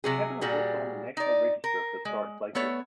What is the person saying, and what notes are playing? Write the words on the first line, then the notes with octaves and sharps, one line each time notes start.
The Cabin is also on the National Register of Historic Places.
C3 F#3 G#4
A#2 G3 F#4 G#4
D#4 D5
A#4
G#3
A3 B3 A4 C#5